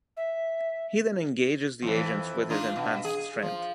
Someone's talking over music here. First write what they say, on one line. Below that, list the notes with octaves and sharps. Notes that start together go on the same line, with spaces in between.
He then engages the agents with his enhanced strength.
E5
F2 E3
D4 D#4 F4
B2
G#4
F3